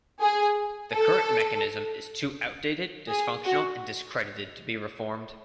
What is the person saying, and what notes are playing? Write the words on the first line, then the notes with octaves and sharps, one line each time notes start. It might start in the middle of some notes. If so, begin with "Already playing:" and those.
The current mechanism is too outdated, dysfunctional, and discredited to be reformed.
G#4
A4
G#4
F#4